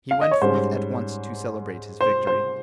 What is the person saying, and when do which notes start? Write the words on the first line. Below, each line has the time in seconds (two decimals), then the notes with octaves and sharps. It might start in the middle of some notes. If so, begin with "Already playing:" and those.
He went forth at once to celebrate his victory.
0.11 F5
0.21 D#5
0.31 C#5
0.42 G#2 G3 C#4 C5
2.01 C5
2.27 C5